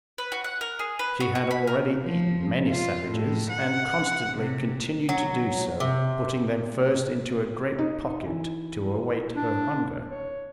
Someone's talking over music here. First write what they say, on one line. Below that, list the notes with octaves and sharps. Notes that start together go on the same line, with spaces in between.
She had already eaten many savages and constantly continued to do so, putting them first into a great pocket to await her hunger.
B4
F#4
F#5
A#4
G#4
B4
F#4
F#4
B5
A#4
F3
F4
A2
F#5
C3
F#3
C3
D#4
E3
D4
C#5